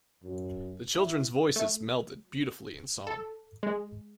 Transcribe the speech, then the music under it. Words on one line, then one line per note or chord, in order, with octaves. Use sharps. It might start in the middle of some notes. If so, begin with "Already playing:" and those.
The children’s voices melded beautifully in song.
F#2
E4
A3
A4
G#3